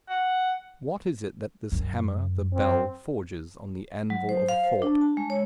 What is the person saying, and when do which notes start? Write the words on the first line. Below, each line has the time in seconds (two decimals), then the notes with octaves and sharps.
What is it that this hammer, the bell, forges on the anvil of thought?
0.10 F#5
1.72 F#2
2.54 C4
4.10 F#3
4.29 C5
4.49 F5
4.64 C5
4.82 D4
5.01 A5
5.17 G#3
5.30 C#5